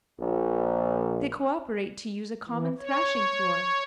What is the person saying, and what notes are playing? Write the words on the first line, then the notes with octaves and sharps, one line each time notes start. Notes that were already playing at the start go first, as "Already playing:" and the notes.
They co-operate to use a common thrashing floor.
A#1
E3
C#5